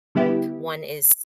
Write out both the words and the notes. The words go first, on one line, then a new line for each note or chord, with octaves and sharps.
one is
D3 G3 B3 E4 G4